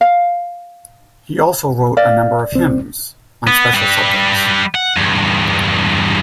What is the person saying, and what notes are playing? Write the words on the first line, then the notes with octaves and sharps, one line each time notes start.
He also wrote a number of hymns, on special subjects.
F5
D5 F5
C2 C4
B3
G3 B4
F#5
E2 G2